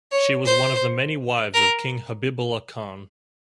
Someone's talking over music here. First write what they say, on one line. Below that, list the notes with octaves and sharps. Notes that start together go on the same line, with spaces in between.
She was one of the many wives of king Habibullah Khan.
C#5
C5
A#4